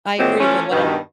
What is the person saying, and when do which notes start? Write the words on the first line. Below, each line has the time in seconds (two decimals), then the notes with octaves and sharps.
I agree, but what I'm
0.19 A#2 D#3 E3 F#3 G#3 C4
0.39 E3 F3 A3 C#4
0.71 G2 B2 D#3